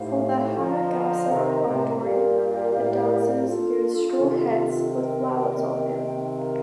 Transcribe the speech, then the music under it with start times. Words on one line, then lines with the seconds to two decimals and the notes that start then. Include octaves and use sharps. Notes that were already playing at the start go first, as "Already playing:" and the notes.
For the Hanagasa Odori, the dancers use straw hats with flowers on them.
Already playing: A2 D#4 G4 C5 F5
0.56 D3 F3 C5 D#5 A#5
1.29 C3 D#3
1.66 A2 C3
2.01 G2 A#2 G4 A#4 D5 F5
2.74 A2
3.46 D4 F4 A4
4.19 C3 D#3
4.91 A#4 D#5 G5
6.36 A#4 F5 A#5